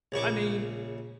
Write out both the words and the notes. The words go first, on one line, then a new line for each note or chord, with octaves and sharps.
I mean,
A#1 C#3 C#6 D6